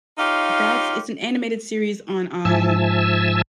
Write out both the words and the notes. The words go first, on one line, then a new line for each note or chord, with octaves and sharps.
That's it's an animated series on, um,
D#4 F4 G4 C#5 F5
G#2 F3 E5 G#5 A5 E6